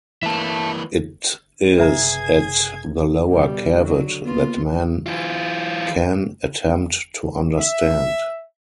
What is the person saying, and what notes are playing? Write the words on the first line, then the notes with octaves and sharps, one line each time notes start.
It is at the lower Kavod that man can attempt to understand.
E3 A#3 E5 A5
F#1 C3 G#4 B4 E5 A#5 G#6
B2 G3
D3 F#3 F#4
A#3 B3 F4
E3 F4
E5